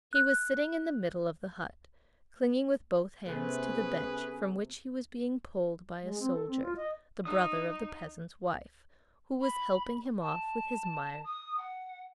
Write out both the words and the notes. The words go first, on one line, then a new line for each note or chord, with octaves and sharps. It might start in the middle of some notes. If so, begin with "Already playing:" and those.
He was sitting in the middle of the hut, clinging with both hands to the bench from which he was being pulled by a soldier, the brother of the peasant's wife, who was helping him off with his miry boots.
F#6
C3 A3 B3 C#4 G#4 B4
G#3
C4
A4
C4
F4
D#5
D#4 D#6
B5
A5
D#6
F#5